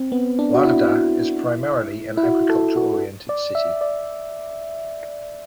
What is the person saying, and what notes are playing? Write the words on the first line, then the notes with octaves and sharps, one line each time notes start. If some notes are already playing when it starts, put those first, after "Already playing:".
Wardha is primarily an agriculture oriented city.
Already playing: C4
B3
D4
F#4
E4
E4
F#4
A4
F#4
D5
E5
D5